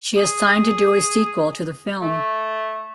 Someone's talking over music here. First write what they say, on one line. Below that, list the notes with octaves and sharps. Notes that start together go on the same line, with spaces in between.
She has signed to do a sequel to the film.
G#4
A3